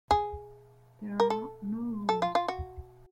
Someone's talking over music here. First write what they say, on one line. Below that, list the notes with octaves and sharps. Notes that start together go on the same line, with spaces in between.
There are no rules.
G#4
A#4
A4
A4
F4
F4
F#4